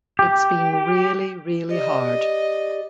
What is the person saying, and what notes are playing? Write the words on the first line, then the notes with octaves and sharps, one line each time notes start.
It's been really, really hard.
G4
G4 D5 D#5